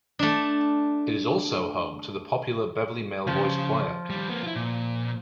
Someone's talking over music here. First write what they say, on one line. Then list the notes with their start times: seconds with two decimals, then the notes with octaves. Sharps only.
It is also home to the popular Beverley Male Voice Choir.
0.19 A3 D4
3.27 C#3 F3
4.10 D#3 G3
4.29 A#3 B3
4.43 E4 F4
4.56 A#2